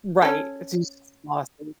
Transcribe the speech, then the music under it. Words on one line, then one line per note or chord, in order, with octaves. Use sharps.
Right, I jus exhausting.
C#4 A4